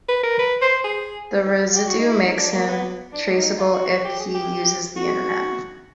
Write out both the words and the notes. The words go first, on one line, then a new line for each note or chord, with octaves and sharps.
The residue makes him traceable if he uses the internet.
B4
A#4
B4
C5
G#4
G4
F#4
D#4
E4
D#4
D4
A#3
B3
D4
D#4
F4
F#4
F#4
G4
G#4
G4
F#4